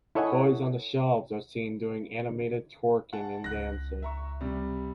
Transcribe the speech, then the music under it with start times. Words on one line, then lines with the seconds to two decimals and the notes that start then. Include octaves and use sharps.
Toys on the shelves are seen doing animated twerking and dancing.
0.15 E4 A4 C#5 D#5 F#5 G#5
3.13 F#5 G#5 A5
3.44 C#2 F#6 A#6
4.02 E5 A#5 C#6
4.41 C3 G3